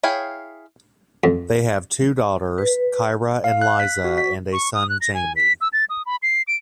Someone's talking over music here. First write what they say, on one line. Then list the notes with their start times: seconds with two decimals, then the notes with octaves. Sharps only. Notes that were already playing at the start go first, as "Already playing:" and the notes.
They have two daughters, Kyra and Liza, and a son, Jaime.
0.03 E4 G#4 C#5 F5 G5
1.24 F2
2.58 B4
3.44 F5
3.61 F#6
3.80 B6
4.04 F#4
4.18 B6
4.53 C#6
4.74 D#6
4.89 F#6
5.01 A#6
5.14 G#5
5.36 B6
5.61 E6
5.73 A6
5.90 D#6
6.06 B5
6.23 C7
6.48 D7